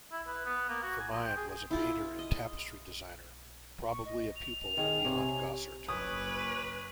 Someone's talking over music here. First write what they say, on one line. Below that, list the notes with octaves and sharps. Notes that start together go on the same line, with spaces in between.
Vermeyen was a painter and tapestry designer, probably a pupil of Jan Gossaert.
E4
B4
B3
A#3
F#4
G#5
F3
G5
G#4
E4 F4 G#4
D#5
C#6
D#5
F7
D#3 G#4 F5
C3 C#5 G#5
F#1 C#4 B4 C#5 D6 D#6